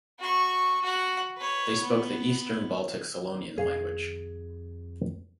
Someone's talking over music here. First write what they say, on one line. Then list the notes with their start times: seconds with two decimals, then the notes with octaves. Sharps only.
They spoke the Eastern Baltic Selonian language.
0.19 F#4 C#6
0.81 F#4 F#5
1.37 B4 C#5
1.81 B3
3.58 F2 G#4 F5